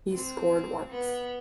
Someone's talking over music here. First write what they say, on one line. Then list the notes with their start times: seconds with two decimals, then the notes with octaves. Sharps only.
He scored once.
0.13 C4
0.91 B3